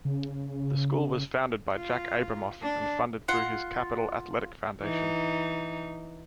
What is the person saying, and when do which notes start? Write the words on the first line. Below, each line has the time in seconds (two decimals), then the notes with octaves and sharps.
The school was founded by Jack Abramoff and funded through his Capital Athletic Foundation.
0.05 C#3
1.77 F4
2.62 D4
3.28 F4 F#5
4.82 E3 D#4